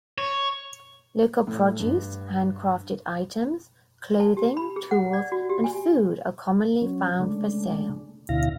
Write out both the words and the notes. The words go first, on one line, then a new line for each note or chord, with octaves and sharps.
Local produce, hand crafted items, clothing, tools and food are commonly found for sale.
C#5
A2
G2
A5
G4
B5
G#4
F#5
D5
F#4
G4
G#5
F#3 C#4
C#3 G#3 A3 D4
D2 B2 D3 E4 F5 A#6